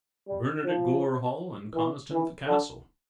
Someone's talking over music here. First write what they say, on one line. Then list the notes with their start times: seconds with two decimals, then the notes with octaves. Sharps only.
"Bernard at Gore Hall and Conniston at the castle."
0.27 G3
0.65 F3
1.74 E3
2.11 E3
2.46 D3